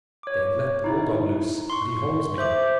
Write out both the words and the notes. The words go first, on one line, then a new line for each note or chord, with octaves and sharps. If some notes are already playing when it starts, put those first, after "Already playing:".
"They have let the bull-dog loose, and he holds me!"
C#5 D6
D#4 E4
C6 C#6
C5 E5 D6